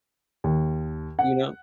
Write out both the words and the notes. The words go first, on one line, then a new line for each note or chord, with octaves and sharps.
you know?
D#2
F#5